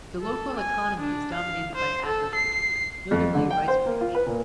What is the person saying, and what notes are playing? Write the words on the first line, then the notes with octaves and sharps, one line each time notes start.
The local economy is dominated by agriculture, notably rice production.
A4
G#5
D4
F5
C5
A4
C7
F2
D3
G5
C5
A#3
F4
B4
A#2